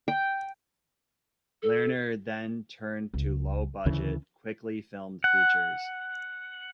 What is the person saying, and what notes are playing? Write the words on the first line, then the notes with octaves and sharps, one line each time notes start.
Lerner then turned to low-budget, quickly filmed features.
G5
A4
C#2
D2 C#3 E3 C#4
F#5